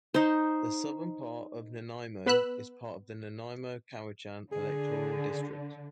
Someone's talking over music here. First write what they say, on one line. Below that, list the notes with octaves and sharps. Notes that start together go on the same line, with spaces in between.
The southern part of Nanaimo is part of the Nanaimo-Cowichan electoral district.
D#4 C5
B3 B4 B5 E6 F#6
D3 G#4